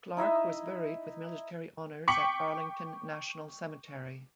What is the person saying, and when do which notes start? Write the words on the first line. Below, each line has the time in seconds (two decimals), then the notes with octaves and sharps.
Clark was buried with military honors at Arlington National Cemetery.
0.17 D#4 E4 D#5 E5
2.08 G5 C#6 D6 B6 C#7 F#7